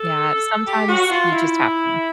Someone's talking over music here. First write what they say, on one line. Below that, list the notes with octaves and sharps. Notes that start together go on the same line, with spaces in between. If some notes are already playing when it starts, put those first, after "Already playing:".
Yeah, sometimes you just have to.
Already playing: A4
G4
F#4
F4
E4